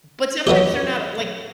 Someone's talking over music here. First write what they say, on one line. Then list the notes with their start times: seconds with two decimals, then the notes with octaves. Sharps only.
But sometimes they're not, uh, like
0.47 F#3 B3 D#4 G4